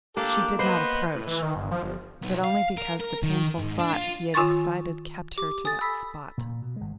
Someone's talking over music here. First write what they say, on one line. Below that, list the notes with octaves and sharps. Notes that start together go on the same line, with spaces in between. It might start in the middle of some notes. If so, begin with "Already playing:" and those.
She did not approach, but only because the painful thought he had excited kept her to that spot.
A#3 D4 G4 A4
B3 B4 C5 D#5
A2
E3
D#3
G1
F3
G1
B1
F5
A#4
A#4
D#3
G#2
D4
F4
D#3 F4 G#5 C6 C#6 A6
G4 D6
A4 G#5 D#6 A6
B5 E6 B6
A#2
B2
G#1 G#3